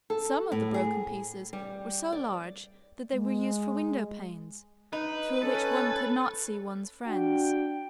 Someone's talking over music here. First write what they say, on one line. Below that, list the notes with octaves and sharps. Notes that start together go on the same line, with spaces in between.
Some of the broken pieces were so large that they were used for windowpanes, through which one could not see one's friends.
A4
A2
G#4
G3
D5
G#3
D#4 B4
C#4 A4
D4 F#4 G5